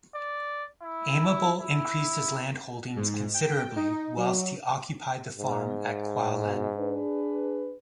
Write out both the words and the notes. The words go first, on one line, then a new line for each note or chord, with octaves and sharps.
Aimable increased his land holdings considerably whilst he occupied the farm at Qualen.
D5
E4
E4
G#2
G5
D#4
F#3
G#2
B2
D4 G#4 B4